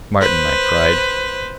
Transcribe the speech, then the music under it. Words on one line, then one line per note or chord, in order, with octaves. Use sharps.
"Martin," I cried.
B4 C5